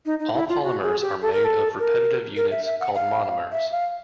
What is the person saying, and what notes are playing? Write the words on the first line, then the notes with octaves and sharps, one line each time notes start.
All polymers are made of repetitive units called monomers.
D#4
D#4
E4
F4
F#4
G#4
G4
A4
A#4
A4
A#4
A#4
E5
E5
F#5
F5
E5
F5